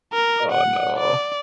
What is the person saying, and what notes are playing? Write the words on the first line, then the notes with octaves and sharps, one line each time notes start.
Oh, no.
A#4
F#5
D5